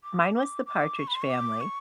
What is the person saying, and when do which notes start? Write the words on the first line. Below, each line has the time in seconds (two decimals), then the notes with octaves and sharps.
Mine was The Partridge Family.
0.04 D6
0.35 D6
0.66 D6
0.99 C#6
1.08 B5
1.15 C6
1.22 C#6
1.30 D6
1.61 C#6